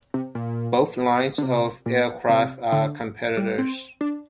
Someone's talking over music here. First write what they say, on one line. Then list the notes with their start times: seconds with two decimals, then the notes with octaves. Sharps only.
Both lines of aircraft are competitors.
0.14 C3
0.35 A#2
1.38 D3
1.43 C3
1.86 A#2
2.29 C3
2.72 D3
3.37 G3
3.58 C4
4.01 D4